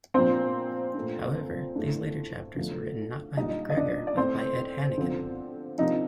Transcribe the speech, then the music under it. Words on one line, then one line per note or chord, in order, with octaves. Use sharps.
However, these later chapters were written not by McGregor but by Ed Hannigan.
A#2 F3 A#3 C4 D4 C5
A#2 A3 D4
A2 A3 D4
D3 F3 A3
A#2 G3 D4 D#4 D#5
D#5
D4 D5
D5
A2 A3 C4 C5
D3 F3 C4
C3 F3 A#3 D4 D#4